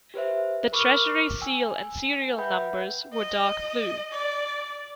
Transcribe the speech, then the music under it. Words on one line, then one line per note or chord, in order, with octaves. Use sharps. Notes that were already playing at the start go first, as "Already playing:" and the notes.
The treasury seal and serial numbers were dark blue.
G4 B4 C5 E5
A#4 B5 C#6 D6 E6 F6
G5 G#5 E6
B4 E5 F#5 G5 B5 G6
D#5
D5